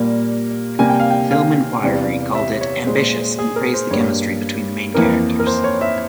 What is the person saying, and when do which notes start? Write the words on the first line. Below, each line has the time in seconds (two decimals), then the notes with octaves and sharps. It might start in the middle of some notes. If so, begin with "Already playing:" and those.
Film Inquiry called it "ambitious" and praised the chemistry between the main characters.
Already playing: A#2 G3 A#3
0.79 C3 G3 A#3 G#5
0.90 G5
1.00 F5
1.11 G5
1.31 F5
1.83 E2 C3 G3
2.35 E5
2.61 C#5
2.87 A#2 G#3 C5
3.39 G#4
3.56 A#4
3.74 C5
3.91 G2 G3 A#3 C#5
4.94 F2 E3 A#3 A#4
5.40 A#4
5.47 C5
5.64 C#5
5.81 E5